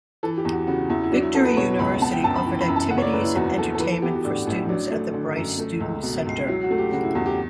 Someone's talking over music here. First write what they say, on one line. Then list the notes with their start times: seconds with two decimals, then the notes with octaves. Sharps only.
Victory University offered activities and entertainment for students at the Bryce Student Center.
0.23 E3 A4
0.37 G4
0.45 E2
0.52 F#4
0.67 C#3 F#4
0.89 E2 E4
1.04 E4
1.12 F#3 D4
1.23 E4
1.34 B3 A4
1.45 B4
1.57 B2 C#5
1.79 C#2 B5
2.01 B3 A5
2.12 G5
2.24 F#2 A5
2.35 B5
2.46 E3
2.61 B5
2.68 F#2
2.76 A5
2.91 C#3 F#5
2.98 C#5
3.02 D5
3.13 F#1 B4
3.24 E4
3.35 E2 F#4
3.57 F#1 A4
3.75 A4
3.79 E3 B4
3.91 A4
4.02 B3 G4
4.13 F#4
4.25 A2 D4
4.47 A1 E4
4.69 F#3 D4
4.91 A3
5.14 D3
5.36 F#2
5.58 A3
5.80 C#2
6.03 B2
6.26 C#2
6.47 F#3 E4
6.63 F#4
6.71 A3
6.78 G4
6.92 C#3 F#4
7.04 E4
7.15 E2 F#4
7.26 G4